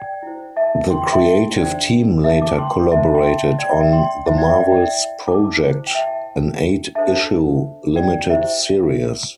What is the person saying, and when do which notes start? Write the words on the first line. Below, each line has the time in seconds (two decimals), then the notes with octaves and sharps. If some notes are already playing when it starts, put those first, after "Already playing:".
The creative team later collaborated on "The Marvels Project" an eight issue limited series.
Already playing: D5 G5
0.23 E4 C5
0.56 E5 A5
0.90 G5 C6
1.01 G5 C6
1.12 E5 A5
1.57 D4 C5 D5 G5
2.24 E5 A5
2.42 A5 D6
2.58 G5 C6
2.92 E4 C5 E5 A5
3.14 G5 C6
3.26 E5 A5
3.59 D5 G5
3.70 E5
3.81 E5
3.92 G5 C6
4.26 E4 C5 E5 A5
4.37 D5 G5
4.49 E5
4.59 D5 G5
4.71 D5 G5
4.83 E5
5.27 A5 D6
5.61 E4 C5
5.87 G5
5.95 E5 A5
6.95 D4 A4 C5 E5 A5
7.96 D5 G5
8.30 E4 G4 C5 E5